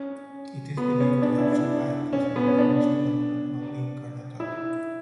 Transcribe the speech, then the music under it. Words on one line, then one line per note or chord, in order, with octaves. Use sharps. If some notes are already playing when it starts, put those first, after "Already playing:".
It is believed to have survived as an indigenous phenomenon only in Karnataka.
Already playing: C#4
B3
C#4
D4
E4
D4
C#4
B3
C#4
D4
E4